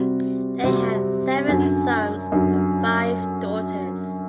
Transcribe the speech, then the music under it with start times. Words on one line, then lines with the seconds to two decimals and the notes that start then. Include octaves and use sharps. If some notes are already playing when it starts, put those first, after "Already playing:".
They had seven sons and five daughters.
Already playing: C3 G3 C4 F#4
0.64 C3 G3 C4 F#4
1.48 F#2 D3 F#3
2.32 F#2 D3 F#3